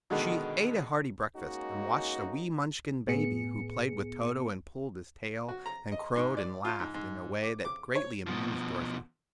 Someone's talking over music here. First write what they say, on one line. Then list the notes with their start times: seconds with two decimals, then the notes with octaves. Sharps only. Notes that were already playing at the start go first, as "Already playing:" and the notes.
She ate a hearty breakfast, and watched a wee Munchkin baby, who played with Toto and pulled his tail and crowed and laughed in a way that greatly amused Dorothy.
0.10 B2 D3 D#3 G#3 B3
1.36 G#3 A#3 C#4 D#4 F#4
3.07 A2 B3 G#4 C#7
5.48 F#4
5.66 A#5
5.92 D#5
6.16 G#2
6.37 D5
6.65 F4
6.80 G#2
6.94 G#2
7.43 D6
7.65 D6
7.96 C#5
8.27 B2 F3